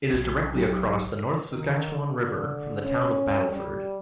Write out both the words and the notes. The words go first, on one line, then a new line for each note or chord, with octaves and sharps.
It is directly across the North Saskatchewan River from the Town of Battleford.
B1
F#3 D#4 G4
D#3
D3
C#4
G3